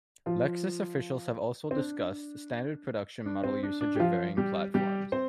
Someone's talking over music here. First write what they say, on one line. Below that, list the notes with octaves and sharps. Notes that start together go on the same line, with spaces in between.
Lexus officials have also discussed standard production model usage of varying platforms.
F3 F4
C4
D4
D4
C4
D4
D4
G4
F3 F4
G3 G4
G3 G4
C4 C5